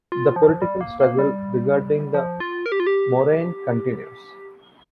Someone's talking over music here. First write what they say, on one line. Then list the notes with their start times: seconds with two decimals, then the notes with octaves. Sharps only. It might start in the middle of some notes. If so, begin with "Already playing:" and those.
The political struggle regarding the moraine continues.
0.12 F4
0.36 F3
0.62 G3
0.81 A#3
1.00 A#3
1.19 G3
2.14 F3
2.40 F4
2.66 A#4
2.72 G4
2.80 F4
2.87 G4